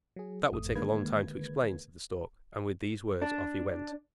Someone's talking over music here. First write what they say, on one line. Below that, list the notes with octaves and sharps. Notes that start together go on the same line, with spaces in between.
"That would take a long time to explain," said the Stork, and with these words off he went.
F#3 G#4
G#1 F2 A3 D#6
D3 D#3 G#3 A#3 B4 G#6
D4